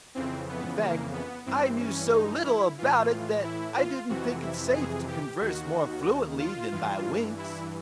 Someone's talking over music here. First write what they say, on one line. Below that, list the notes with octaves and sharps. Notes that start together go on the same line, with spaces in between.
In fact, I knew so little about it that I didn't think it safe to converse more fluently than by winks.
F2 C#3 E3 C4
B3
A#3
B3
G2 E3 C4
C#4
D#4
E4
A2 E3 F4
E4
F4
F2 C3 E3 F#4
E4
G#4
G4
D#2 D#3 F#4
F4
G2 E3
E4